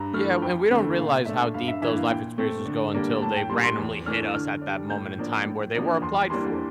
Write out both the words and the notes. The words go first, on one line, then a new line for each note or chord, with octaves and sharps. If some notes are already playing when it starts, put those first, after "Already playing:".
Yeah, and w we don't realize how deep those life experiences go until they randomly hit us at that moment in time where they were applied for.
Already playing: G2 A#5
E3 A3 F6
F2 G5
D3 A3 C4
A#2 F5
A3 D4 E5
G2 F5
E5
E3 A#3 E5
F5
A#2 G5
A3 C4
D3
G3 A#3 D4
A2 A5
G5
G3 A#3 C6
C6
E2
E3 A3 D4 F6
D3 F6
G3 D4
A2 G6
F3 A#3 D4
A2
F3 A#3 D4
E2 C6
E3 G3 A#3 D4 C6